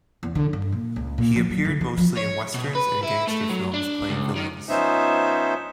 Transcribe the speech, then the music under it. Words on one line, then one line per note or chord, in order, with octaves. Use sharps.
He appeared mostly in westerns and gangster films playing villains.
E2
D3
G2
A#2
C#2
A#2
F3
F#3
D3
E3
F3
C#5
B2
B4
E4
A3
F#3
D4
C#2
D#3
F3 B3 C#4 D#4 C5 E5